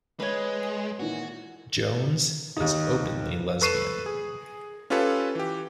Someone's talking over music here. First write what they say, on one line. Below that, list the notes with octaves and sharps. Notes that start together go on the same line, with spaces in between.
Jones is openly lesbian.
G#3 B4 C#5
A#2 D#3 E3 F#4
D#2 D#4
A4 B4 C#6 C7 D#7 E7
G#4
C#4 F4 G4 A4 B4 C#5
E3 G4